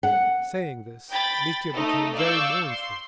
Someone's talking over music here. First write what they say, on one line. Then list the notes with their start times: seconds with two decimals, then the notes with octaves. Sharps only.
Saying this Mitya became very mournful.
0.03 F#5
1.10 G5 B5 A6
1.71 A3 D#4 A4
2.13 D5 F5 C#6 E6 G6
2.69 C6